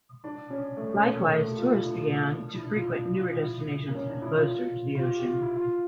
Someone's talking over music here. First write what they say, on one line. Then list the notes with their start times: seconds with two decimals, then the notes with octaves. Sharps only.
Likewise, tourists began to frequent newer destinations closer to the ocean.
0.24 D4
0.50 C#4
0.77 A3
0.95 C#4
1.12 A#3
1.30 A3
1.44 A#3
1.51 G4
1.57 F4
1.70 E4
1.83 D4
2.37 D4
2.54 E4
2.63 D4
2.74 F4
2.82 E4
2.89 D4
3.15 F4
3.43 E4
3.88 A#3
3.95 C#4
4.09 D4
4.22 E4
4.35 F4
4.95 F4
5.02 G4
5.28 F4
5.41 E4
5.56 F4